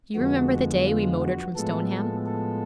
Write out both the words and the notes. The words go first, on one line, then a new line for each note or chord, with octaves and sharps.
'Do you remember the day we motored from Stoneham?
F2 D3 F3 G#3 B3 F#4
F4
F#4
A2 F3 G#3 B3 A4
A4
A4